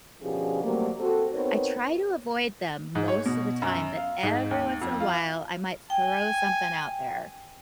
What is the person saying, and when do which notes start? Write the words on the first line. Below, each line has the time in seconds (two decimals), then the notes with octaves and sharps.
I try to avoid them most of the time, but every once in a while, I might throw something out there
0.22 B2 D3 F3 C#4 G4 G#4
0.63 C3 F#3 G3 A3 A#3
1.00 C4 F#4 A4
1.34 B3 C4 D#4 A#4 B4 C#5
2.95 G#2
3.08 C#5
3.26 B2
3.62 F#2
3.96 F5
4.23 G#2
4.51 D#2
4.81 F2
5.00 F4
5.90 G5 G#5